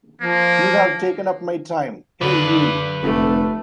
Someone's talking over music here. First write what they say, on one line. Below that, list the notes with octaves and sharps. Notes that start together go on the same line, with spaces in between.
"You've taken up my time —." "Hey, you!"
F3 A#3
D3 B4 D5
F1 A3